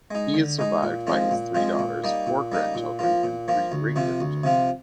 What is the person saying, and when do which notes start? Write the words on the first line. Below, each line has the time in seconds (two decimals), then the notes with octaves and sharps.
He is survived by his three daughters, four grandchildren, and three great-grandchildren.
0.11 G#3 D#4
0.34 D3
0.59 G#3 D#4
0.83 A#2
1.07 F3 G#3 C4 F4
1.31 A#2
1.55 F3 G#3 C4 F4
1.79 A#2
2.04 G3 A#3 D#4
2.27 A#2
2.52 G3 A#3 D#4
2.75 A#2
2.99 F3 A#3 F4
3.24 A#2
3.48 F3 A#3 F4
3.72 D2
3.96 C3 F3 C4 F4
4.21 D2
4.43 C3 F3 C4 F4